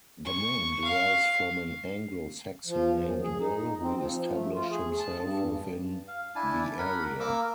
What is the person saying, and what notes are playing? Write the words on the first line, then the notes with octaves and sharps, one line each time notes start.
The name derives from an Anglo-Saxon named Bill who established himself within the area.
C#6
F5
F3
F#2
G#4
D#4
C4
F3
F3
A3
F4
G#4
A5
G2
F5
D4 E4 G#5 A5
A#4 F#5 B5
A#3 A#4 D6 E6